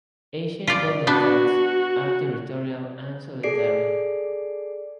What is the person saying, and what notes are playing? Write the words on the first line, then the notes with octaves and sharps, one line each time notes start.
Asian golden cats are territorial and solitary.
F4 D5
B3 D4 F#4
G#4 A4 D5 C7 D7